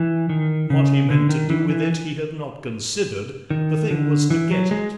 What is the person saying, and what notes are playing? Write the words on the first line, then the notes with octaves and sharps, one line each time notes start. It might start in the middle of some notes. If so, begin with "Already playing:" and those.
What he meant to do with it he had not considered, the thing was to get it.
Already playing: E3
D#3
C#3
D3
D#3
E3
E3
D#3
D3
E3
F#3
G#3